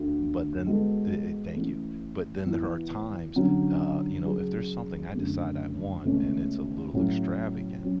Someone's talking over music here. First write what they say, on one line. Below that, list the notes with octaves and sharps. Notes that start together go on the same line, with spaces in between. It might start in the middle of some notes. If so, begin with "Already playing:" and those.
but then the, uh Thank you. But then her are times uh, you know, if there's something I decide I want and it's a little extravagant,
Already playing: D2 D3 A3
G#3 B3 F#4 A4
E3 A3 C#4
E3 B3 E4
D3 F#3 C#4
C#3 F#3 C#4 G#4
F#2 D3 F#3 A3
C#2 B2 A3 C#4
A2 F#3 C#4
F#3 C#4